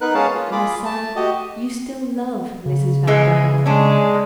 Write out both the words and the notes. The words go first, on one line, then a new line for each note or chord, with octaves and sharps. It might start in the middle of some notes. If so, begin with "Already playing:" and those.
My son, you still love Mrs. Van Brandt.
B3 D#4 A#4 B4 F#6
G#3 C#4 G#4 C#5 F5 A5
A#3 F4
F4 G#4 B5 D6
A3 A5
F#4 G4 D#5
C#3
E3 G#3 G#4
G#3 C#4 D4